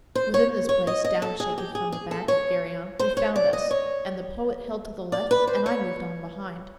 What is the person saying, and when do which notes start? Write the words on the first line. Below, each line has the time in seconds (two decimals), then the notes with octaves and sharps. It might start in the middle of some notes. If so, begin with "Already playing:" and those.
Within this place, down shaken from the back Of Geryon, we found us; and the Poet Held to the left, and I moved on behind.
0.15 C5
0.34 C#5
0.69 C#5
0.87 D#5
1.04 D#5
1.22 A4
1.40 G#4
1.58 G4
1.75 G#4
1.92 G#4
2.11 A4
2.28 C#5
2.99 C5
3.17 C#5
3.36 D5
3.53 D#5
3.71 C#5
5.12 D5
5.31 B4
5.47 C5
5.66 C#5